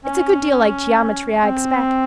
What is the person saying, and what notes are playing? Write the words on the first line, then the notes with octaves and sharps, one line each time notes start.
It's a good deal like geometry, I expect.
C#4
C4